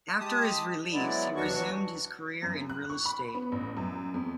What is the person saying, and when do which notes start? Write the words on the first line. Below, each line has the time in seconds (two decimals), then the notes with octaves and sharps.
After his release, he resumed his career in real estate.
0.19 G#3 G4 A5 D#6
0.93 F#3 G#3 B3 E4 D5
1.36 D#2 E3 F#3 D4 F#4 C#6
2.42 F#2
2.69 F#6
2.90 C#6
3.05 B5
3.35 B3
3.52 A1
3.77 F#2
4.14 F2